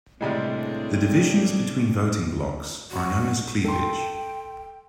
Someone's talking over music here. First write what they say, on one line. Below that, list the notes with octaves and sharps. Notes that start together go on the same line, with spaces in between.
The divisions between voting blocs are known as cleavage.
A2 C3 G3 G#3 C4 D4 G#4
F#4
A4 G5 C6